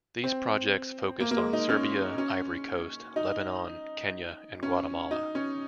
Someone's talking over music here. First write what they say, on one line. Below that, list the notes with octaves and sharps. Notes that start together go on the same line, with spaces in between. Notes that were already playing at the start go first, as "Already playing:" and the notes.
These projects focused on Serbia, Ivory Coast, Lebanon, Kenya and Guatemala.
C4
A#3
A#3
G#3
D#4
C#4
C#4
D#4
C#4
D#4
C#4